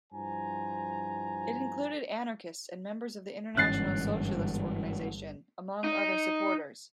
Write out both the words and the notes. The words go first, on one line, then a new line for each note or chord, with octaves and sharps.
It included anarchists and members of the International Socialist Organization, among other supporters.
G2 F3 E4 C5 G#5 A#5
G1 G#2 E3 C#4 F#6 A6 C7
D#4